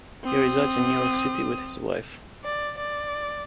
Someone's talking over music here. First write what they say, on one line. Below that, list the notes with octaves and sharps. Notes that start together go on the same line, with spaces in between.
He resides in New York City with his wife.
C4 D#6
D5
D5